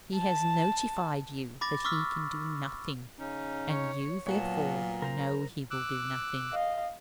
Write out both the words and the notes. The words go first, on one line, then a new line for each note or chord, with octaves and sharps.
He has notified you that he can do nothing; and you therefore know he will do nothing.
A5
B5 D6 A6 A#6
C#6 D6 E6 F6 B6
C#3 C#4 D#4
C#5
A#2 F#3 A#3 B3 C#5 F#5 A5
A#4 C5 A#5
D6 E6 F#6
D#5 F5